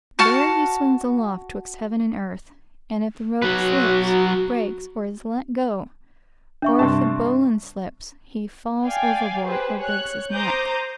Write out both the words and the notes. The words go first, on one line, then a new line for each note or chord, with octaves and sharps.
There he "sings aloft 'twixt heaven and earth," and if the rope slips, breaks, or is let go, or if the bowline slips, he falls overboard or breaks his neck.
F#4 F#5 A5 F6
F#3 F#4 B4
D4 E5 C#6
G2 C3 A5
D5 F5 G5 G#5
G4 G#4 B4 C5
C#5 F#6
C5 A#5 D6 D#6 G6